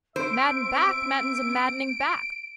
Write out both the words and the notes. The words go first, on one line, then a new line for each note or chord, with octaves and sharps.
Madden back Madden's a maddening back.
C4 C5 E5 D7